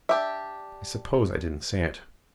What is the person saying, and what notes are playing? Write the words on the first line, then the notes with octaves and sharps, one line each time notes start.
I suppose I did say it.
D4 G4 E5